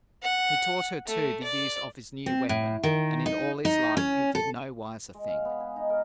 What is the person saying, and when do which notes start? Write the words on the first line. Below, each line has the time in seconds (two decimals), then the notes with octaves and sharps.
He taught her, too, the use of his new weapon, and in all his life he did no wiser thing!
0.23 F#5
1.07 A3
1.43 D5
2.26 C4
2.49 A2
2.83 D#3
3.26 D#4
3.65 D#4
3.97 C#4
4.35 A4
5.14 G#3
5.28 F5
5.45 B3
5.60 G#4
5.76 D#4
5.90 A#4